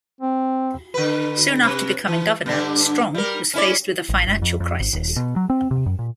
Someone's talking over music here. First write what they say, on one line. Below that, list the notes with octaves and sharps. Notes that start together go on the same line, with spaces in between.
Soon after becoming governor, Strong was faced with a financial crisis.
C4
D3 B4
C3
E3
G2 D3 D4
G3 A#4
C#4 E4 D5
A1
F#1
F2
F2
G#1
D#1
B2
F#3
C4
C3
F#2
A#2